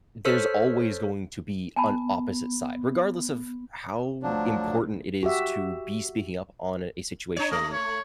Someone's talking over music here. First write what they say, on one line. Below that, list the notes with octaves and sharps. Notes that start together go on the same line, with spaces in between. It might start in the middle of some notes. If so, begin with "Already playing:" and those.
there's always going to be an opposite side, regardless of how important it is to be speaking up on a situation
A4 C5 C#5 E6 F6 B6
B3 G#5 A5 B5
D2 F3 F#3 D4
F#4 G4 E5
D4 C#5
A3 D#5
C#5